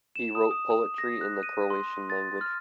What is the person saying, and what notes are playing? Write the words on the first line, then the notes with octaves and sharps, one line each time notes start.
He wrote poetry in the Croatian language.
E7
D#6
D#6
D#6
A#6
F#6
D#7
C6
A6
F6